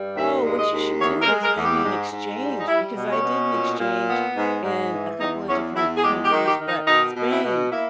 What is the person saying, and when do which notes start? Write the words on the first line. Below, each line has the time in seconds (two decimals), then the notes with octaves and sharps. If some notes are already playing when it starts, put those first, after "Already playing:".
Oh, what you should do is maybe an exchange, because I did an exchange in a couple of different countries, but Spain.
Already playing: G2 G3
0.16 D#2 E5
0.44 G#3
0.58 D#5
0.73 D#2
1.00 E2 C#5
1.22 A#4
1.28 G#3
1.43 A#4
1.56 E2
1.63 G4
1.85 G#2
2.12 G#2
2.40 G3
2.59 D#4
2.68 G3 E4
2.96 B2
3.10 C#4
3.24 B2
3.52 A#2
3.80 A#2
4.08 B3
4.36 G#2
4.64 G#2
4.92 E3
5.19 E2 D#4
5.48 E2 C#4
5.76 E2 E4
5.97 G#4
6.03 G#3 G4
6.24 G4
6.31 D#3
6.46 G4
6.60 D#3
6.67 D#4
6.87 B2 D#4
7.16 B2
7.30 E4
7.44 B2
7.71 A#3 E4